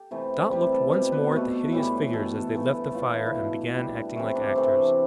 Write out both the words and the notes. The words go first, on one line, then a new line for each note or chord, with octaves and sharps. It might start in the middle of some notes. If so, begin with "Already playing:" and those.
Dot looked once more at the hideous figures as they left the fire and began acting like actors.
Already playing: G4 A4
C3 E3 A3
C3 G3 B4
A4
B2 G3 B4
B4
B2 A3
A2 E3 G3
B2 A3 A4
A4
G2 E3 A3
A4
A2 E3 A3 F4
E4
E4
B2 A3 D4
B2 G3
C3 E3 A3
D4
C3 E3 A3 C4